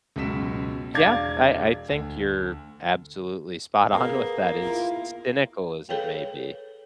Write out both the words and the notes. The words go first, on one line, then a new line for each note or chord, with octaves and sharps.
Yeah, I I think you're absolutely spot on with that, as cynical as it may be.
C#2 F#2 B2 B6 E7
E1 D4 F5 D6 G#6 A6
D2
A#3 B3 G#4
E4 F4 A#4
G#4 A4 B4 C#5 F5 G5